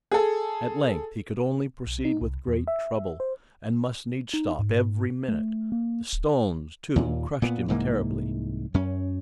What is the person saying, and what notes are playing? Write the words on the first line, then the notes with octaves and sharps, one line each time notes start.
At length he could only proceed with great trouble and must needs stop every minute; the stones, too, crushed him terribly.
G#4 A4
B1
D#4
C2
E2
E5
C5
D#4
G#2
A3
A#3
D1
D#2 A#2
A#2 A#3 B3
C2 G#2 E3 A#3
F#2 C#4